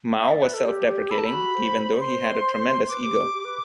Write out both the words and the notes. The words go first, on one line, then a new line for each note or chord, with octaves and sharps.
Mao was self-deprecating, even though he had a tremendous ego.
E5
D5
B4
A4
G4
G4
A4 B5
A5
B5
F#4
C5
C5 C6
B4 D6
G4
G4
G4
B4